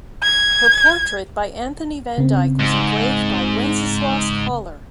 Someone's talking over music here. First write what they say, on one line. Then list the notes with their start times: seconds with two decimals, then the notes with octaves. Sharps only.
Her portrait by Anthony van Dyck was engraved by Wenceslaus Hollar.
0.23 G#6
2.18 C#3 C4
2.60 G#2